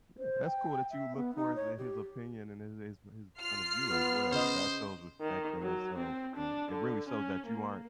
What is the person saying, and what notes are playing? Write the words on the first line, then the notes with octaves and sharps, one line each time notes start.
Yeah, that's cool that you look for his his opinion and his his his point of view as well. That shows respect in itself, and it really shows that you aren't
C5
G5
E5
B3
D#4
C#5
G4
F4 F6 C7
B3
C#3 C5 D#5
D#3
F#3
C4
D4
D3
C#4
A#3